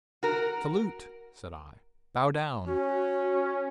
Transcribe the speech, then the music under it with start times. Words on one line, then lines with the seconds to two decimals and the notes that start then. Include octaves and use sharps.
"Salute!" said I. "Bow down!"
0.23 F#4 A#4
2.67 C#4 F#4